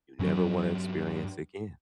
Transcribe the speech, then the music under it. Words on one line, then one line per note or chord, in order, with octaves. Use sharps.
you never wanna experience again.
G2 F#3 C#4